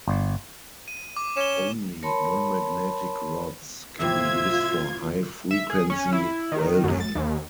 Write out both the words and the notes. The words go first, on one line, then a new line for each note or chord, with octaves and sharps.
Only non-magnetic rods can be used for high-frequency welding.
G1
D#7
D6
C#4 E7 G7
A#4 C#5 A5 B5 C6
F2 A2 C3 F4 E5 G#6
E5
G#4
C#4
E4
D#3
F#2
A6
D#2